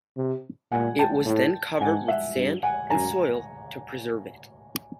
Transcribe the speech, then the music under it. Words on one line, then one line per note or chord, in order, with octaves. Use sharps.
It was then covered with sand and soil to preserve it.
C3
A#2 F#5 G#5
G5 A5
A2
G#2 F#5 G#5
E5 F#5
G2
F#5 G#5
F#2 G#5 A#5